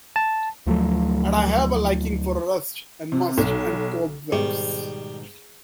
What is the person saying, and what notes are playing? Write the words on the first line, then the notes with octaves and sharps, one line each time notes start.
And I have a liking for rust and must and cobwebs.
A5
D2 F3 F#3 A3
C3
B1
G#2 B2 D#3 G3 G#4